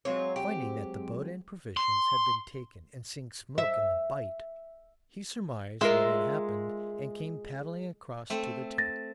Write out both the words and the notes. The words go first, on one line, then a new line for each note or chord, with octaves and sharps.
Finding that the boat and provisions had been taken and seeing smoke in the bight, he surmised what had happened and came paddling across to the tent.
F#3 G#3 C4 F4 C#5
G4
C6
E5
G#3 F4 A#4 E5 C6
A3 C4
A6 A#6